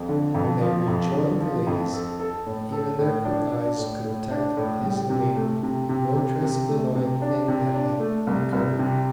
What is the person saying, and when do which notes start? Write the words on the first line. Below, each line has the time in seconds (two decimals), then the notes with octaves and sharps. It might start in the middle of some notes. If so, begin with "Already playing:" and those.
When they rejoined the ladies, even their quick eyes could detect in his demeanour no trace of the annoying thing that had occurred.
Already playing: F2
0.09 D3
0.34 F2
0.61 F3
0.88 F2
1.14 D3
1.40 F3
1.67 F2
1.94 A4
2.19 A4
2.46 A2
2.72 A4
2.99 A2
3.25 D4
3.52 D4
3.78 A2
4.05 A2
4.31 D4
4.57 A2
4.83 G3
5.10 C3
5.36 A3
5.63 C3
5.89 C3
6.15 C3
6.42 C3
6.69 A3
6.95 C3
7.22 D4
7.48 C3
7.74 D4
8.00 A3
8.27 C2
8.52 C2
8.79 C3